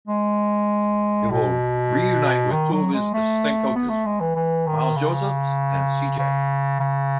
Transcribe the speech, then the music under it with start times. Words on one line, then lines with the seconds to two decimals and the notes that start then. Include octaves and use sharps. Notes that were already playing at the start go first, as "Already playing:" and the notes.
He will reunite with two of his assistant coaches, Miles Joseph and C. J.
0.07 G#3
1.31 B2
2.52 D#3
2.72 F#3
2.94 G#3
3.14 A3
3.75 B3
3.89 A3
4.06 G#3
4.20 E3
4.36 E3
4.67 D#3
4.96 C#3
6.19 C#3
6.80 C#3